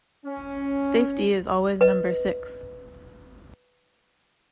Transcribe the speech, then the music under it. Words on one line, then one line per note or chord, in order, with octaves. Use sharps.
Safety is always number six.
C#4
B4 D#5